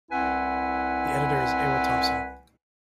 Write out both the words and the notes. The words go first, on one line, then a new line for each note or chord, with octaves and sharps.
The editor is Ewa Thompson.
C2 C4 E4 B4 F#5 G#5